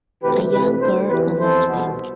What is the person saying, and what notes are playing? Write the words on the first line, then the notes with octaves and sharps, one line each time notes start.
A young girl on a swing.
D2 C3 E3 G4 B4
F2 C3 E3 G4 B4
D2 D3 A4 C5
E2 C3 E3 G4 B4
F2 E3 A4 C5
C2 B2